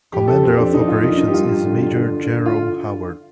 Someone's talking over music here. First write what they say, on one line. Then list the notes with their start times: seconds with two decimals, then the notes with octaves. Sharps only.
Commander of Operations is Major Jerome Howard.
0.13 F2 G4
0.28 A4
0.43 F2 C4
0.57 D4
0.73 F2 D#4
0.88 F4
1.03 D#3 D#4
1.17 D#4
1.27 G4
1.33 G2 F4
1.64 D3
1.94 D3
2.24 D3
2.46 F4